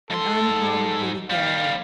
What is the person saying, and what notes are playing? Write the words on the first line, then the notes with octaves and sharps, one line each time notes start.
An uncommon pretty go!
G#2 A4 C6
D#2 G3 F5